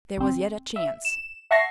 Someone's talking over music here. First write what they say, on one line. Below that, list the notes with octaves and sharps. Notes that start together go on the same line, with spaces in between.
There was yet a chance.
G1 C4
E5
E7
E5 F#5 A5 C#6 A#6 C7